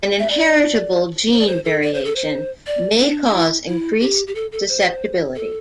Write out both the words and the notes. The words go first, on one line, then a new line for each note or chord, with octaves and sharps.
An inheritable gene variation may cause increased susceptibility.
E5
D5
C5
D5
C5
A4
D5
C5
A4
C5
D5
D4
D4
E4
E4
G4
G4
A4
A4
C5
A4